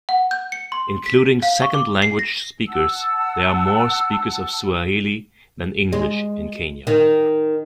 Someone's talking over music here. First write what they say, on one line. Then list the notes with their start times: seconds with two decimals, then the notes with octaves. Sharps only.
Including second-language speakers, there are more speakers of Swahili than English in Kenya.
0.09 F#5
0.31 G6
0.52 C#7
0.72 C6
1.06 B6
1.42 F5
1.62 C#6
1.74 D6
2.02 C7
2.19 A#6
2.68 F#5 A5 E6
5.93 G#3
6.87 D#3